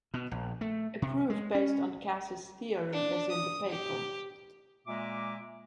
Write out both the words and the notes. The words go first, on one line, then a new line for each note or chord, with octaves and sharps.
A proof based on Casey's theorem is in the paper.
B2
A#1
A3
C3
G#3
C#4
D4
D#6
G4
A#2 G#3 A#3 E5 D6